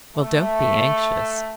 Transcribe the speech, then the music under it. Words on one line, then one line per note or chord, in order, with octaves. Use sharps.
Well, don't be anxious.
A3